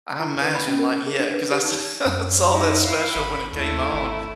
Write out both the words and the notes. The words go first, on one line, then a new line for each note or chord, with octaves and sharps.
I imagine, like yeah, 'cause I sa saw that special when it came on
E4
B4
B5
C#4
A#4
G#4
D4
B4
G4
D#4
F#2
D#4 E4
E4 F5
G#1 B5
D#2 A3 E4
G#1